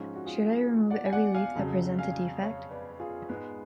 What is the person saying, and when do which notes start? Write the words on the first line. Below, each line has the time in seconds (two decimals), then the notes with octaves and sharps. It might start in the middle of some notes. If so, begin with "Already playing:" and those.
Should I remove every leaf that presents a defect?
Already playing: G#2 F3 G#3 C#4 F4
0.16 F#4
0.26 F4 G#4
0.90 D5 F#5
1.05 G#5
1.13 D5 F#5
1.34 F5 G#5
1.55 F2 C#3 F#3
1.99 F5 G#5
2.42 C#5 F5
2.71 B4 D5
3.00 F4 G#4
3.29 G#2 G#3 B3